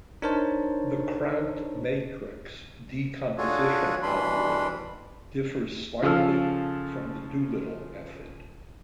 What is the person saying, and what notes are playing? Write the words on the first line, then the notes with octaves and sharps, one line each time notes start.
The Crout matrix decomposition algorithm differs slightly from the Doolittle method.
D4 D#4 A#4 C5 C#5 A5
D4 F4 F#4 G#4 A4 C#5
B2 E3 G3 D4 B5 C6
C#3 F3 A4 F5 E6